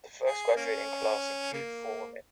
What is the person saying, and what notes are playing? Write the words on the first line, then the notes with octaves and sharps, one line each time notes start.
The first graduating class included four women.
G#4
A#3 C#4
C#3 A#3